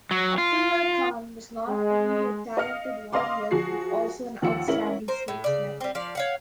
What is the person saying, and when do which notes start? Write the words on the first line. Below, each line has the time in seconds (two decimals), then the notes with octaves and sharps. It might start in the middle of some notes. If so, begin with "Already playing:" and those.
Abdullah Khan was not only a talented warrior, but also an outstanding statesman.
0.11 F#3
0.38 F4
1.68 G#3
2.57 D#5 F5 F6 C#7
3.13 D#5 F5 C6 D6
3.51 F3 F#4 G#4 C7
4.42 D#2 F3 F#5 E6 C#7
4.67 A1 C#4 E4 A#4 F#7
5.08 A#4 C5
5.28 A2
5.44 C#3 D5
5.81 G3 C4
5.95 F3 D5 F5
6.15 C#5 F5 F#5